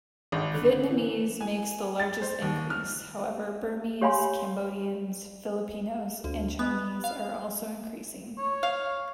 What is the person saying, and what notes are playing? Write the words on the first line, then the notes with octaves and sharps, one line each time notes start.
Vietnamese makes the largest increase, however Burmese, Cambodians, Filipinos and Chinese are also increasing.
G#1
D3
E3
G#5
A6
C5
D#2
F6
G4 C#5 F5 G#5 B5 C6
D2
B3
F5
C#5
F5